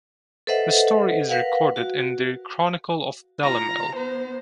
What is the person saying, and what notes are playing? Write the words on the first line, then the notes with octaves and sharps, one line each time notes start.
The story is recorded in the "Chronicle of Dalimil".
A4 B4 C5 D#5 E5 F#5
A#4 B4 F5 F#5
F#4
F4 A#5
B3 C5